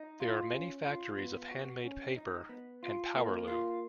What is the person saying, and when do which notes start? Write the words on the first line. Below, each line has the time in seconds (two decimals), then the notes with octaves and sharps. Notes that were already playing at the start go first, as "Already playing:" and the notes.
There are many factories of Handmade paper.. and powerloo.
Already playing: D#4
0.20 F4
0.53 C#4
0.85 F4
1.18 B3
1.51 F#4
1.84 C#4
2.16 D#4
2.49 B3
2.83 F4
3.15 A#3
3.48 F4